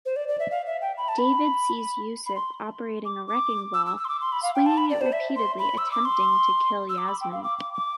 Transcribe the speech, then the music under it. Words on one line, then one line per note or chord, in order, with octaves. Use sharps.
David sees Yussef operating a wrecking ball, swinging it repeatedly attempting to kill Yasmin.
C5
D5
D5
E5
F5
E5
G5
B5
A5
B5
B5
C6
D6
D6
E6
E6
E6
C6
D6
C6
B5
F5
G5
A5
B5
D5
C5
E5
C6
B5
E6
D6
C6
E6
D6
B5
G5
F5
D6
D6
D6